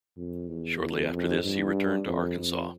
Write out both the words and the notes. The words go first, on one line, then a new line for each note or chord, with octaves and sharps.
Shortly after this he returned to Arkansas.
F2
E2
E2
F2
G2
F2
F2